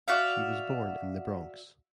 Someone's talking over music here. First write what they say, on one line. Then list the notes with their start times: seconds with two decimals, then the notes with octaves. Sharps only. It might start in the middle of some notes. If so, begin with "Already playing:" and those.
She was born in The Bronx.
0.08 F#4 D5 E5 F5